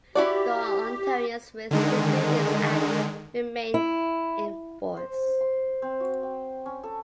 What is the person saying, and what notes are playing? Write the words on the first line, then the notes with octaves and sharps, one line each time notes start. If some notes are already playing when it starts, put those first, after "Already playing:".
The Ontarians with Disabilities Act remains in force.
E4 F#4 G4 D5
D3 D#3 G#3
E4
C5
C6
C4
F#4
G5
C#4
A4